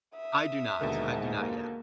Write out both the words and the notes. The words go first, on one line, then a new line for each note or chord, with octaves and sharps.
I do not. I do not yet,
E5 D#6
D#2 G#2 B2 D3 A#4
A#3